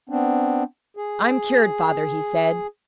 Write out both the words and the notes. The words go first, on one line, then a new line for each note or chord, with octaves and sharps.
"I'm cured, father," he said.
B3 C4 D4
G#4